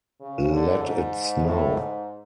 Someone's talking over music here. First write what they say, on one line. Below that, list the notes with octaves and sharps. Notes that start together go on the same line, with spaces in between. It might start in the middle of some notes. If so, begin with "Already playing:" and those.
Let it snow.
C#3
D3
G#2
A2
G#2